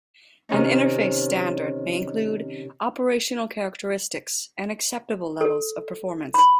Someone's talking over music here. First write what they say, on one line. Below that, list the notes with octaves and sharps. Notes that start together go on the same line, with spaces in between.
An interface standard may include operational characteristics and acceptable levels of performance.
C3 D#3 C#4 D#4
A4
B5